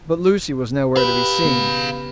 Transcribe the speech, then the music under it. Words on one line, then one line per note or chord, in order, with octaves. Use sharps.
But Lucy was nowhere to be seen.
G4 B4 F5 B5
C#3 B3